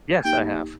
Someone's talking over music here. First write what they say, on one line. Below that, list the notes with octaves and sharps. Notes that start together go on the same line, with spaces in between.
Yes, I have.
A#3 D#4 G4 G5